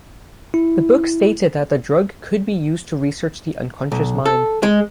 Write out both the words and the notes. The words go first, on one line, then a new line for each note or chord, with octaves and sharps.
The book stated that the drug could be used to research the unconscious mind.
E4
B1
A4
G#3